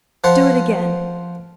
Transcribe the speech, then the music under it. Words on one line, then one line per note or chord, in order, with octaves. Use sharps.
Do it again!
F3 C5 F#5